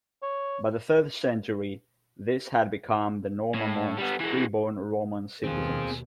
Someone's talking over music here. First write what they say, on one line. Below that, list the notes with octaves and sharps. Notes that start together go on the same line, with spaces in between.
By the third century, this had become the norm amongst freeborn Roman citizens.
C#5
A2
G3 B3
E3 G#3
D#2 B2 D#3 C4 F4 G#4